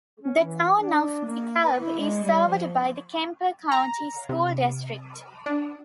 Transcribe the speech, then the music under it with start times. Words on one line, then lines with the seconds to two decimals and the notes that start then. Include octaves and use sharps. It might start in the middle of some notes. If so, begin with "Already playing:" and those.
The Town of De Kalb is served by the Kemper County School District.
0.21 C#4
0.41 E3
0.77 D4
1.25 A#3
1.64 B4
1.79 E4
1.99 G#3
2.24 G3
2.47 F3
3.72 A#5
4.29 C3
5.46 D4